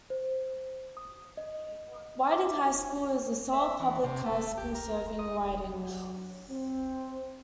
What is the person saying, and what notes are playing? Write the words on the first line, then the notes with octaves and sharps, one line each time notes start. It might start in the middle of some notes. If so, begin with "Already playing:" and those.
Whiting High School is the sole public high school serving Whiting.
C5
D#6
D#5
D6
E5
E3
C3
A3
G4
A#4
D#5
F#3
C4